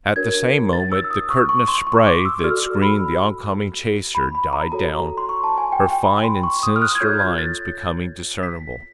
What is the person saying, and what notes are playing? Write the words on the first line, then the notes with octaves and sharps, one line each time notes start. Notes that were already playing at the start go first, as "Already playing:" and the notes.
At the same moment the curtain of spray that screened the on-coming chaser died down, her fine and sinister lines becoming discernible.
D4 F#4 A#4 C#5 G#6
A6
E6
E6
D#6
C#6
C#6
C6
C#6
D6
E6
F#4 A4 D5 F6
E6
B5
B5
B5
A#5
F#4 A4 C#5 A#5
C6
C#6
A5
G#5
G5
G5
B5
C6
C#6
D#6
F6
F#6
G#6
F4 A4 C#5 G6
G#6
A6
B6